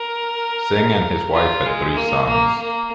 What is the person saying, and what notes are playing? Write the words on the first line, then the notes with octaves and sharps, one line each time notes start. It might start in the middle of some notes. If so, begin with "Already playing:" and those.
Singh and his wife had three sons.
Already playing: A#4
F4
G#3
A#3
A#3
A#3